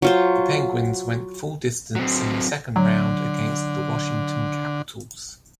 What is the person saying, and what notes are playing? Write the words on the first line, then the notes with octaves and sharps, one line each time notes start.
The Penguins went the full distance in the second round against the Washington Capitals.
F#3 F4 C5
F#3 C4
D3 F#3